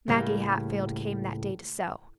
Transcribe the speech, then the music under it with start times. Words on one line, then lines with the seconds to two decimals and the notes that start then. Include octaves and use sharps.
Maggie Hatfield came that day to sew.
0.08 C#2 A2 G3 A#3